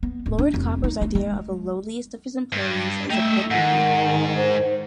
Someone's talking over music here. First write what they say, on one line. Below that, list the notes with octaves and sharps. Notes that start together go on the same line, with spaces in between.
Lord Copper's idea of the lowliest of his employees is a book reviewer.
B3
D1
D4
F1
D#4
A3
G#3
G2
A3 D#4 E5 G5
G#2 D#3 F#5
C5